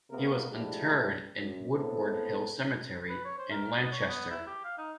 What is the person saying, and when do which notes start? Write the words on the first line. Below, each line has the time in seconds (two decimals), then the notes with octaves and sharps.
He was interred in Woodward Hill Cemetery in Lancaster.
0.10 C3 G#3 A#3 B3 F4 A#4
0.50 F3 G#3 A3 D4 E4 G4
1.38 F#2
1.70 A2 B3 C4 A4
3.09 B4
3.25 C#5
3.39 C5
3.51 A#4
3.81 B3
3.92 C#5
4.09 B3
4.31 E4
4.47 G4
4.64 F5
4.78 D#4